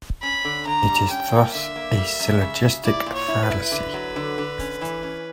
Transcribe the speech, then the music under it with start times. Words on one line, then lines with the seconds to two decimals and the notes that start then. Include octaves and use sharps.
It is thus a syllogistic fallacy.
0.23 C#4 B5
0.45 D3
0.67 D3 A#5
0.88 G3
1.10 C#4 G5
1.32 A#3
1.54 D3 E5
1.76 A#3
1.98 G3
2.20 F#2
2.41 C#3
2.63 C#3
2.84 E4 D5
3.06 A#2
3.14 C#5
3.28 E4
3.43 B4
3.50 E4
3.72 D3
3.94 F#3
4.16 D3
4.38 D3
4.59 C#4
4.81 E3
5.03 C#4